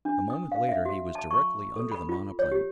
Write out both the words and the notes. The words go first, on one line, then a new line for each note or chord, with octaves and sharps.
A moment later he was directly under the monoplane.
D4
D#6
F5
E5
F#4
A5
C#6
A4
B5
F4
C#5
G4